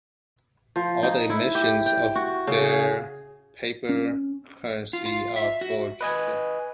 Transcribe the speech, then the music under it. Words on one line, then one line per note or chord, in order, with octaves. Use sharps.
All the emissions of their paper-currency are forged.
F3
D#4
E4
G4
G5
F#4
C#3
G#4
C#4
F4
F4
E5
F#4
B4 D#5 G#5